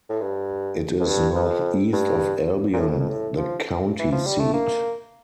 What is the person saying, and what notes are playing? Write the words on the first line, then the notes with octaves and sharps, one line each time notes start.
It is northeast of Albion, the county seat.
A2
G2
F2
G2
F2
G2
A#2
A2
F2
F2
A2
F3
E3
F3
G3
A3
A#3